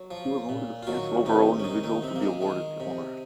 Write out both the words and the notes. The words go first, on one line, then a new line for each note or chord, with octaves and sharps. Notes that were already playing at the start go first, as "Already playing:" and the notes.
He was only the fourth overall individual to be awarded the honor.
Already playing: F#3
F3
A#2
F4
D#3 F#3 F#4
C3 D#3 D#4
C#4
D#3 D#4
D#3 D#4
C3 C4
A#3
G#3
D#3 G#3
C3